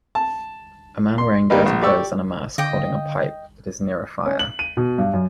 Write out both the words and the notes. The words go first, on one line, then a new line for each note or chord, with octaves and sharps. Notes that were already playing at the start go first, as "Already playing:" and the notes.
A man wearing dirty clothes and a mask holding a pipe that is near a fire.
A5
C6
D#3 G3 A#3 D#4 B4
A#1
G4 D5 C#6 E6
D3 D#5 F5 G5
C#4
F#7
D#7
B2
G2
F#2